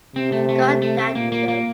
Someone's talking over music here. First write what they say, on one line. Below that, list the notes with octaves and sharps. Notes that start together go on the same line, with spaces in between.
Got That Dope.
C3 C4
A3
A3
A3
A3
C4
A#2 A#3
A#3
A#3